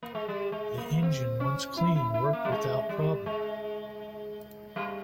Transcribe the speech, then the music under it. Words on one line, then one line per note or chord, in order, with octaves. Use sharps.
The engine, once cleaned, worked without problem.
A#3
G#3
G3
G#3
A#3
C4
C#4
E4
E4
E4
A#3
G3
G#3
G3
G#3
G3